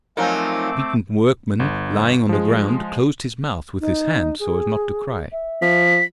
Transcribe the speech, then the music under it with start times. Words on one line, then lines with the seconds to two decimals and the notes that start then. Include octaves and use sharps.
The beaten workman, lying on the ground, closed his mouth with his hand so as not to cry.
0.17 F3 F#3 A3 C4 D#4 A#4 G#5 D6
1.60 G1
2.29 F3 G#3
3.81 D#4
4.40 G#4
5.32 E5
5.62 F3 B6